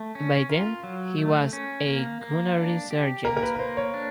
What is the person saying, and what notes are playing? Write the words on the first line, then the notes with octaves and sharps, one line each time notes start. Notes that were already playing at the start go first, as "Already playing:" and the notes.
By then he was a Gunnery Sergeant.
Already playing: A3
C#4
F4 A#4
F#3
A3
C#4
A#3
A#3
D4
G4
A#3 A#4
A#4
B4
B4
A#3 C5
C#5
D4